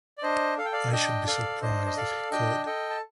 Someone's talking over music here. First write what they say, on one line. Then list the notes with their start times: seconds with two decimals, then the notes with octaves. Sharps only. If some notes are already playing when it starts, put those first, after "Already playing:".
I should be surprised if he could.
0.18 D5
0.23 D4 C5 D#5
0.58 A4 F5
0.65 G5
0.72 D5 F5
0.92 D4 D#5 G5
1.27 A4 D5 F5
1.62 D4 C5 D#5
1.86 D#5
1.97 A4 D5 F5
2.32 D4 D#5 G5
2.66 A4 D#5 G5
2.90 A5